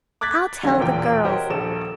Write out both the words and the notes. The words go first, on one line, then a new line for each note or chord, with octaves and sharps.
I'll tell the girls.
D6 F#6 G#6 A6 B6
D3 F3 F#3 A#3 C#4
E1 E2 A#2 G5
F#4 G4 A#4 C5 C#5 D#5
D#1 A#1 A4 E7